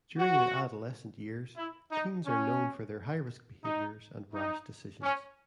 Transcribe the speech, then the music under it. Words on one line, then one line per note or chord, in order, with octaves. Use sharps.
During their adolescent years, teens are known for their high-risk behaviors and rash decisions.
F#4
E4
D#4
C#4
D#4
D#4
C#4